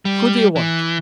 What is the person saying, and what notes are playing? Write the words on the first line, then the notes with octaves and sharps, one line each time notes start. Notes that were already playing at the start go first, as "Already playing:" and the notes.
"Who do you want?"
G3
E3